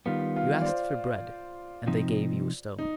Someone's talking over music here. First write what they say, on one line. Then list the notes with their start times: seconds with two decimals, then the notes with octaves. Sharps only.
You asked for bread, and they gave you a stone.
0.06 D#3 G3 B3 F4
0.36 F4
0.61 D5
0.66 C5
1.87 C3 F3 C4 D#4
2.79 D#4